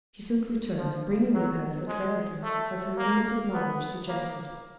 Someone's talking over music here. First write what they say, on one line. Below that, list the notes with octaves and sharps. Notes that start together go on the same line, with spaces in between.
She soon returned, bringing with her such remedies as her limited knowledge suggested.
F3
F#3
G#3
A3
A#3
B3
A#3